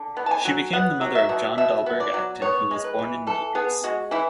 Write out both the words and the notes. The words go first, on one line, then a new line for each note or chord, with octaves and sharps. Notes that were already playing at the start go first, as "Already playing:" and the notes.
She became the mother of John Dalberg-Acton who was born in Naples.
Already playing: D3
B3
A5
G#5
F#3
B3 F#5
F#3
E5
B2
B2 E5
B3
D5
F#3
B3 C#5
G#3
B4
E3
E3 A4
B3 G#4
G#3 F#4
E3 E4